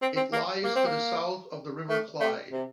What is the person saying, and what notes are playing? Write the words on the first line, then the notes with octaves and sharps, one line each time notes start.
It lies to the south of the River Clyde.
C4
C4
A#3
A#3
C4
A#3
A3
A3
C3